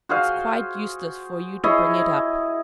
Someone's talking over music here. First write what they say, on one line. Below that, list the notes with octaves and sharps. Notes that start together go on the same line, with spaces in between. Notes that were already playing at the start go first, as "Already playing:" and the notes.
It's quite useless for you to bring it up.
F#4 G#4 C5 F5
E4 G#4 C#5 D#5